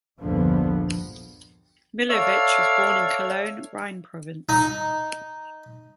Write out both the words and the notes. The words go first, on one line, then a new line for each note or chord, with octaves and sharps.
Millowitsch was born in Cologne, Rhine Province.
A#1 E2 G2 D3 F3 B3
A4 C#5 D5 E5 F5
D#4